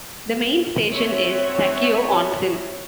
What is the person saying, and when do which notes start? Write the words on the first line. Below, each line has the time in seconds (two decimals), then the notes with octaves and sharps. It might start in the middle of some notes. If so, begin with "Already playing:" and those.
The main station is Takeo-Onsen.
0.93 C4 C#5 E5 F#5 A5